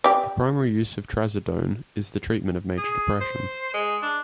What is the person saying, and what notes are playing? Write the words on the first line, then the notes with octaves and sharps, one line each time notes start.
The primary use of trazodone is the treatment of major depression.
G4 D5
G#4
C5
G#3
D4